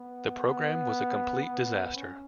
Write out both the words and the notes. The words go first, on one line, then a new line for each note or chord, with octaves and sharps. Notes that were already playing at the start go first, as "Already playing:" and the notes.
The program was a complete disaster.
Already playing: B3
B3
B3
C#4